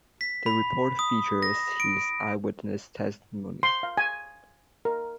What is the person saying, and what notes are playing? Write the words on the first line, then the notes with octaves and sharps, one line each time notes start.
The report features his eyewitness testimony.
B6
B5
D#6
A#6
D7
C6
F5
G#5
A#4